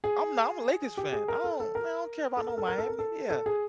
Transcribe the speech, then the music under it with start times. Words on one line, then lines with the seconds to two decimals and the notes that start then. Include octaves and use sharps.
I'm not I'm a Lakers fan. I don't man, I don't care about no Miami. Yeah,
0.04 G#4
0.97 G4
1.13 G#4
1.28 A#4
1.44 A4
1.60 A4
1.75 A#4
2.37 A4
2.48 A#4
2.58 A4
2.68 A#4
2.78 A4
2.88 A#4
2.99 A4
3.30 A4
3.46 G#4